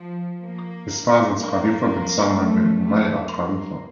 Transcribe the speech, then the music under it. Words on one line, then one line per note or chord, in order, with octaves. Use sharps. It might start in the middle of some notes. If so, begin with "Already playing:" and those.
His father is Khalifa bin Salman bin Humaid Al Khalifa.
Already playing: F3
A#3
A#3
A3
A3
A#3